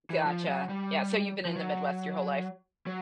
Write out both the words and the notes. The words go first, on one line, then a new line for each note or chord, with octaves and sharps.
Gotcha, yeah, so, you've been in the Midwest your whole life?
E3
F3
F#3
G3
F3
F#3
F#3